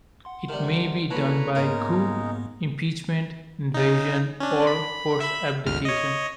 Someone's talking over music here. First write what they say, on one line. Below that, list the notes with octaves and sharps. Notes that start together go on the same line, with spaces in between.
It may be done by coup, impeachment, invasion, or forced abdication.
F#5 C6
C3 D#3 G3
D2 D3 E3 A#3 B4 C#5 A5 A#5
G#2 C#3 G#3 A#3 B3 D#4 A#4 C#5
C#3 D#4
C#4 D4
B5
E5 B5
G#1 D2 F6
C#5 D#5